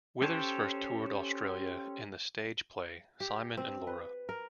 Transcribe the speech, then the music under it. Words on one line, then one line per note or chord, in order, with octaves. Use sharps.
Withers first toured Australia in the stage play "Simon and Laura".
C#4 G4 A4 C5 C#5
G4
C4
B4
A#4